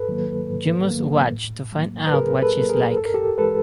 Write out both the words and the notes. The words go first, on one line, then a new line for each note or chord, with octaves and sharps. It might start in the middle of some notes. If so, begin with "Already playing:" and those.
You must watch to find out what she's like.
Already playing: G#2 A4 B4
D#3 F#3 A#3
G#2
D#3 F#3 A#3
A2
F#3 A#3
B4
A2 G#4 A#4
A4 B4
F#3 A#3
G#4 A#4
G2 A4
A#4
G4 A4
E3 G#3 A4 B4